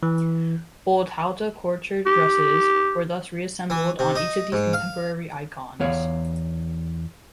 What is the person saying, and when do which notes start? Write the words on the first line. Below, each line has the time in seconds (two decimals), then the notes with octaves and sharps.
Old haute couture dresses were thus re-assembled on each of these contemporary icons.
0.03 E3
2.06 G4
3.70 E3
3.99 C3
4.15 D#4
4.52 G#2
4.73 F5
5.80 E2 B3 C#5 F5